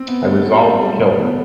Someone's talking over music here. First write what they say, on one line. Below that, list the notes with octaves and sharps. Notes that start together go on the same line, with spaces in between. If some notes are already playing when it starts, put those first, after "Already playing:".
I resolved to kill her.
Already playing: C4
B3
A3
F#3
G3
G3
A3
B3